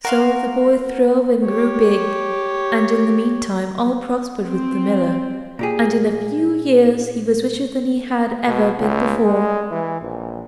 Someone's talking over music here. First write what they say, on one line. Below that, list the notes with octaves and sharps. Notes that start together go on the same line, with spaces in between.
So the boy throve and grew big, and in the meantime all prospered with the miller, and in a few years he was richer than he had ever been before.
F#4 A#4 F5 C6
G4 C#5
C4
A#2 G4 G#4
B2
C#2
G#3
E3
A#1